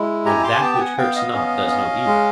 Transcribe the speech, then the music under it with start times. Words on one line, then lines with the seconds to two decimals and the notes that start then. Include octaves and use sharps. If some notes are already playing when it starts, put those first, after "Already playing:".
And that which hurts not does no evil?
Already playing: G#3 E4
0.25 G4 G#5 A#5
0.44 C6 D6
0.55 G#5
0.62 B3 G5 A5
0.75 G5
0.79 F#5 G#5
0.98 B3 F5 G5
1.16 D#5 F5
1.34 C#4
1.70 C#4
2.06 G#3